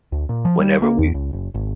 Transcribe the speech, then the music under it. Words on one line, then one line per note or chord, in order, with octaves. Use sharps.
Whenever we
D2
A#2
F3
G3
A#3
E2
C#2
F#1
G#1